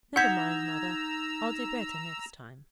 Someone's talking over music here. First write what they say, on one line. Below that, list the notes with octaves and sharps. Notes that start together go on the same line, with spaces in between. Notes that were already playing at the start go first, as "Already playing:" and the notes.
'Never mind, Mother; I'll do better next time.'
D#4 F#5 A#5 E6 G6 G#6 B6